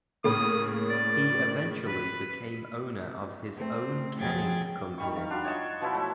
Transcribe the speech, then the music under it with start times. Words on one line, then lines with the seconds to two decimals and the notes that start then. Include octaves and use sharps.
He eventually became owner of his own canning company.
0.24 A2 C#3 A#3 D#6
0.90 D5
1.87 B4
3.57 A3 C4
4.17 F2 F#3 G#4 G5 G#6 A6
4.98 D#3 G3 C#6
5.17 F5
5.30 D4 F4 F#4
5.45 C#5 D#5 A5 C#6
5.81 B2 F3 F#3 E4
5.95 A3